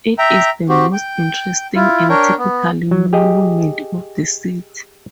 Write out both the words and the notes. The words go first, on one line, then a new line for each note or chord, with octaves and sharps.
It is the most interesting and typical monument of the city.
E5 G5 A#5
C4 F#4 G4
G5
E4 F4
D4 A#4 C#5 G5
B3
F#3
G4 G#4 D#5